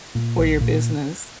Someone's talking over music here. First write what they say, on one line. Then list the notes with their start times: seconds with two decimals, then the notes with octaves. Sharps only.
For your business.
0.15 A#2
0.38 A#1
0.61 A#2